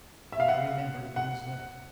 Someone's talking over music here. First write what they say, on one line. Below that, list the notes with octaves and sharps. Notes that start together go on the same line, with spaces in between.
He now remembered Lena's letter.
E5
F5
F#5
F#5